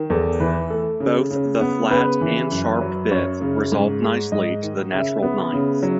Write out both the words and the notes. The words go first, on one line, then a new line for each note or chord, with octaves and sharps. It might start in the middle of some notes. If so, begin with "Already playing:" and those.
Both the flat and sharp fifth resolve nicely to the natural ninth.
Already playing: D#3
E2 A4
E3 B4
A3 A4
C#3
C#3
B3
C#3 B4
E3
F#2
F#3
F#2 C#5
C#3
G#2
G#3
G#2 D#5
D#3
C#3 E5
B3
C#3
F#3